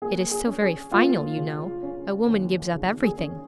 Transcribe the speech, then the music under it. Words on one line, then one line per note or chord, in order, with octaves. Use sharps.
It is so very final, you know. A woman gives up everything.'
A#3 G#4
G#4
C#4
G#4
A#3 F4
C#3
C#4
D#2
C#3
G#4
C#4